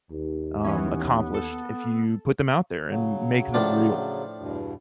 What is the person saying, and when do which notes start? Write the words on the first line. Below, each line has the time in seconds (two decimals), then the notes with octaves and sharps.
um, accomplished if you put them out there and m make them real.
0.10 D#2
0.64 E3 B3 C#4
1.34 A4
2.89 C#3 F#3
3.54 A2 F3 D4
4.39 E2 G2 B2